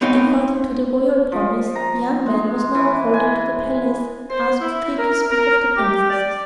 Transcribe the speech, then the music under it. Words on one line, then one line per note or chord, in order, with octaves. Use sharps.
According to the royal promise, the young man was now called into the palace and asked to take his pick of the princesses.
B3 C4 D#4 C#5 F5
F3
A#5
G#3
E3
G#5
C5
E4
A#4
A#4
G4
D5